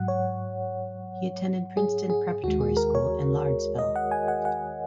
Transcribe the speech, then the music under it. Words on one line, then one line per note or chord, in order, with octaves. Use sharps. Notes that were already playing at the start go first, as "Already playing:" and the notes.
He attended Princeton Preparatory School in Lawrenceville.
Already playing: G#2 F#3 F#5
C#5
G#4
G#4
D#2 D#3 G#3 F#4
G#4
A#4
C#5
D#5
F#5
G#5
F#5
F#5